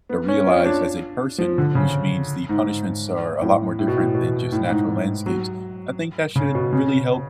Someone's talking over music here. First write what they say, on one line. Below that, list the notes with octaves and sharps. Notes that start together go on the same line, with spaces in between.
uh, realized as a person- which means the punishments are a lot more different than just natural landscapes, I think that should really help
B3
C#4
F4
D4
F3
D3
C#3
G#2
A2
A2
B2
A2
B2
A2
G#2
F#3
C#3
B2
C#3